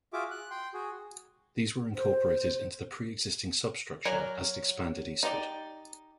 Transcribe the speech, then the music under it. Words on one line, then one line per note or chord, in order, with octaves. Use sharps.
These were incorporated into the preexisting substructure as it expanded eastward.
F4 F#4 G#4 E5 D6
F#6
G5 C6
F#4 G#4
C5
F#3 A#4 D5 G#5
D#4 G4 D5